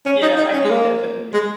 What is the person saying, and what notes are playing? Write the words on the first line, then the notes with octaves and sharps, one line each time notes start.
Yeah, I think definitely.
C#4
D#4
D#4
C#4
G#3
A#3
G#3